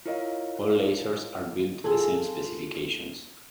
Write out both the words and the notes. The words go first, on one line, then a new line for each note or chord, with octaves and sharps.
All Lasers are built to the same specifications.
E4 F4 A#4 C#5 D#5 F5
F4 G#4 A4